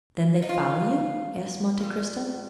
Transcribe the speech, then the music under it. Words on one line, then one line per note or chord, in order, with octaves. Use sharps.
"Then they follow you?" asked Monte Cristo.
D#4
F4
A#2 G3